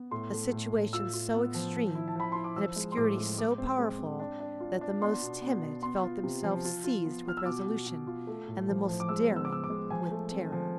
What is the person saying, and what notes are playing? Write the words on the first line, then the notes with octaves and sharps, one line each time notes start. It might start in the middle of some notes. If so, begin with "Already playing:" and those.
A situation so extreme, an obscurity so powerful, that the most timid felt themselves seized with resolution, and the most daring with terror.
Already playing: B3
A2 C6
A3
A2
A2
F4 E6
F4
B3
F3
F3
E4
A5
F3 B5
E4 C6
D6
F3 E6
G#3
C6
A2 D6
G#3
G#3 D6
C4
G#3
C4
D4
D4
F4
D4
B3 C6
B2
B3
B2
B3 C6
F4
C3
F3
F4
F4
B3
F4 F6
E6
B2 D6
B2
B2
F4
A3
A2
F3
F3
D6
G#3 E6
B3
E6
D6
B3 E6
D6
G#3
F3 G#5
A3
C4
F3